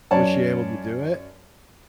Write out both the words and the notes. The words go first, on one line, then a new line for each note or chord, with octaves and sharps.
Was she able to do it?
F#2 C#5 D5 A5